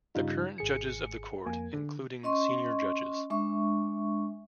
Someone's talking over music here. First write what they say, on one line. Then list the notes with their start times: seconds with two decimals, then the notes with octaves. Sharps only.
The current judges of the court including senior judges.
0.15 G2 C#3 G3 D#4 F4
0.58 G#1 G#4 C#7
1.46 F2 A#3 G#5
1.73 D3
2.23 C#4 D#5 C6 C#6
3.30 G#3 D4 E5 C#6